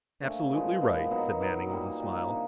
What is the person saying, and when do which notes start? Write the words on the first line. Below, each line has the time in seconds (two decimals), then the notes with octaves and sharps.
"Absolutely right," said Manning with a smile.
0.22 A#2 F3 A3 D4
0.52 A#2 F3 G#3 B3
0.81 A#2 F3 G#3 B3
1.10 B2 F#3 B3 D#4
1.40 B2 F#3 B3 D#4
1.69 A#2 G3 A#3
1.99 A#2 G3 A#3
2.28 C3 F3 A#3 D4